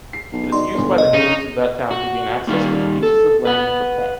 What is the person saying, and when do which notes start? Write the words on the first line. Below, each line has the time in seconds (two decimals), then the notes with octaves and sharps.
It is used by the neighbors of that town to gain access to the pieces of land in Copons.
0.13 C7
0.32 B1
0.52 D#4 F#4 D5 C6
0.75 G1 D2 C#5
0.98 F1 D#5
1.14 C#3 D#4
1.91 F#4
2.47 A#2 D#3 G3 F4
3.03 A4
3.45 B4 F#5